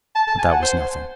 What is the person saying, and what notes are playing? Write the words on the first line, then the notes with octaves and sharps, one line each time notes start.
But that was nothing.
A5
A5
G#5
F#5
C5